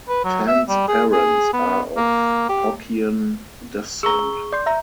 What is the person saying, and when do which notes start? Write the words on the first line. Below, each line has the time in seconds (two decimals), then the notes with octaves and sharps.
Tan's parents are of Hokkien descent.
0.09 B4
0.24 F#3
0.47 E5
0.68 G3
0.88 G#4
1.13 G#4
1.53 B3
1.97 A#3
2.49 G4
4.03 G#4 A#5 C#6 E6 G7
4.53 D5 C6 G6
4.66 E5 A#5